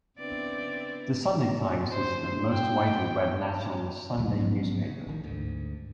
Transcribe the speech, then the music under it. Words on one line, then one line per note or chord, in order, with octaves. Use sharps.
The "Sunday Times" is the most widely read national Sunday newspaper.
C#3 B3 C4 D4 E4 B4 D5
C5
G5
A#1 E2 C3 F#3
F3 F#3 B3 C#4
C#3
A1 D#3
D2 G#2